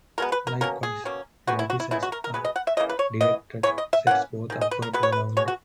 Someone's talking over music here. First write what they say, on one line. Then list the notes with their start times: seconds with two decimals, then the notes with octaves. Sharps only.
Likewise, lattices are directed sets both upward and downward.
0.18 B2 G#3 B3 A#4
0.32 B4
0.47 A#4
0.61 B2 A#3 C#4 A#4
0.83 G#4
1.05 B2 A#3 C#4
1.47 D#3 G#3 B3 F#4
1.59 E4
1.70 F#4
1.80 E4
1.91 C#3 G#3 B3 E4
2.03 F#4
2.12 A#4
2.24 A#4
2.34 B2 G#3 B3 B4
2.45 D#5
2.56 F#5
2.67 E5
2.77 C#3 E3 A#3 D#5
2.89 B4
2.99 C#5
3.21 E3 B3 D#5
3.63 E3 G#3 B3 C#5
3.78 D#5
3.93 E5
4.07 E3 A#3 C#4 F#5
4.50 D#3 G#3
4.61 D#5
4.71 B4
4.82 A#4
4.93 B2 G#3 B3 B4
5.03 C#5
5.12 B4
5.37 B2 G#3 C#5
5.48 F#4